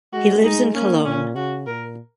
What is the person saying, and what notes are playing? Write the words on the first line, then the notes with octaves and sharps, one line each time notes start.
He lives in Cologne.
G#3 F#4
D#4
A#3 C#4
A#2 C#4
C#3 F#4
A#2 A#4